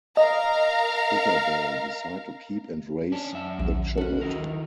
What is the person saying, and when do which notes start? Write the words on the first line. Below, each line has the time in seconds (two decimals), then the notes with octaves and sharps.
Isabel decide to keep and raise the child.
0.17 A#4 D#5 F5 A#5
3.12 C#4 D4
3.33 F#2 E5
3.59 A#1 D#2
3.98 C#4 F#4 A4
4.21 D#3 E4 A#4